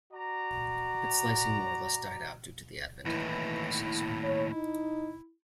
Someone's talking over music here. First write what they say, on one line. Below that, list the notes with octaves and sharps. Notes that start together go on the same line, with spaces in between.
Bit slicing more or less died out due to the advent of the microprocessor.
F#4 D5 A#5
D#2 A2 E3 E4
C#5
D#4